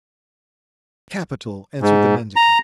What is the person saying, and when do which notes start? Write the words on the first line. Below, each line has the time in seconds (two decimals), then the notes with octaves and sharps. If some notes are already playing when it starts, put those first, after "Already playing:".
"Capital," answered the mendicant.
1.81 G#2
2.36 A#5